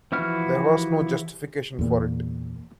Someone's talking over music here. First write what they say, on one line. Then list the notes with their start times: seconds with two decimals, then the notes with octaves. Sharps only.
There was no justification for it.
0.12 E3 F3 E4 F#4 F6
1.79 E2 A#2